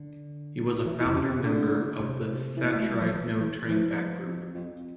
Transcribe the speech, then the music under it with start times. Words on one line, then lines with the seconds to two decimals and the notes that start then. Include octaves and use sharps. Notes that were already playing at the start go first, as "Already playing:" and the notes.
He was a founder member of the Thatcherite No Turning Back group.
Already playing: D3
0.85 E3
1.00 E3
1.05 F2
1.14 C3
1.28 C3
1.43 D3
2.00 C3
2.57 E3
2.64 A#3
2.75 A3
2.89 G3
3.01 F3
3.12 E3
3.41 E3
3.69 E3 F3
4.26 F2
4.54 F2